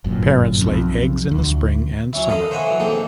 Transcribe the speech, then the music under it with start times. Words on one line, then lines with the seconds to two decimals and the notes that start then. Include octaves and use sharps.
Parents lay eggs in the spring and summer.
0.04 G1 F#2 A#2
0.61 B1 F2
1.31 D2
2.13 F#3 C#4 E4
2.29 A4 A#4 D#5 F5 B5
2.51 C5 C#5 E5 F#5 G#5 B5
2.67 E3 F#3
2.80 A#3 C4 D#4 G#4 A4